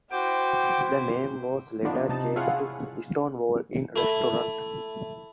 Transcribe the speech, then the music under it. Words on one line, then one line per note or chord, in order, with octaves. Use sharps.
The name was later changed to Stonewall Inn Restaurant.
E4 F#4 C5 G5 D6
F3 B3 D4 D#4
C3 D#4 A5
E4 F4 G#4 C#5 F5 F#5
A3 E4